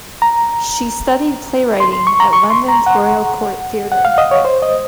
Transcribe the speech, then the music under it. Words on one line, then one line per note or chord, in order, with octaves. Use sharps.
She studied playwriting at London's Royal Court Theatre.
A#5
C6
C6
C#6
A#5
C#6
C6
A#5
F#5
F#5
F5
D#5
C#5
C5
D#5